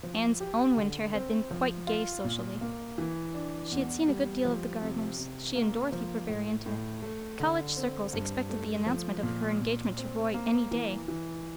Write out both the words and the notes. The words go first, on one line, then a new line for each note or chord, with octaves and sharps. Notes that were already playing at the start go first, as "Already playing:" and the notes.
Anne's own winter had been quite gay socially. She had seen a good deal of the Gardners; she and Dorothy were very intimate; college circles expected the announcement of her engagement to Roy any day.
F3
G4
D3
C4
F3
F4
A#2
A#3
E3
D4
E2
G3
F3
C3
C3
A#3
F3
A2
A2
A3
D3
C4
G2
A3
F3
A#2
A#2
C4
A#3
E3
E3